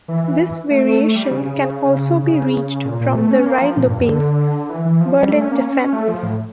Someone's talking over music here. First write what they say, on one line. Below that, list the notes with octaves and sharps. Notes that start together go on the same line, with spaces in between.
This variation can also be reached from the Ruy Lopez, Berlin Defence.
E3
E3
E3
A3
A3
A3
G3
C#3
C#3
C#3
A#2
A#2
A3
C#4
A#3
F3
A#2
G2
E2
D3
E3
E3
F3
G3
A3
C#4
A#3
C#4
C#4
A3
F3
A2